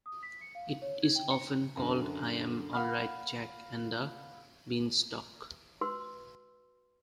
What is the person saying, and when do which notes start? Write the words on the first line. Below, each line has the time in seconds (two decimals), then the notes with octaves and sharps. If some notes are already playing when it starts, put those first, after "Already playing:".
It is often called I'm Alright Jack and The Beanstalk.
0.06 D#6
0.23 B6
0.41 C#7
0.55 F5
0.82 C#5
1.03 G#6
1.15 G5
1.31 C#7
1.77 F#2 D3
2.73 F5 F#5 B5 F6
5.81 F#4 B4 C6 E6